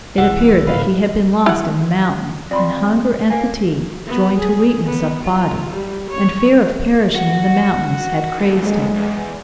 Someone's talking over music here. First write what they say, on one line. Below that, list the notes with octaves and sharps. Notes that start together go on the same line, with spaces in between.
It appeared that he had been lost in the mountain, and hunger and fatigue, joined to weakness of body, and fear of perishing in the mountains had crazed him.
E1 C2 E3 G#3 F#5
G#2 C#3 B4 F5
E4 F#5
F2 D5 B5 C6
A#3 G#5
B3
G#4
B3
F4
G3
C#5
F#4
D2 A#2
G#3
E2